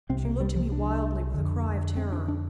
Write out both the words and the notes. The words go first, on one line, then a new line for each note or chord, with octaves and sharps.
She looked at me wildly, with a cry of terror.
C2 C3 C4
A#3
G3
F3
D4
F2 D3
C4
D4
D4